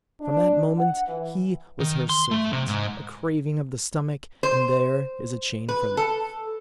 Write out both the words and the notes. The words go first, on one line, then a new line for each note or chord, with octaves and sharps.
From that moment he was her servant; a craving of the stomach, and there is a chain for life!
D4
F#5
E3
D#3
C6
A3
C3
G#2
C5
B4
A4